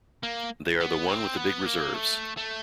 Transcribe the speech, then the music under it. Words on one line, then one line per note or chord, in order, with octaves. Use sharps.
They are the one with the big reserves.
A#3
B3
C4
B3
A#3
A3
A3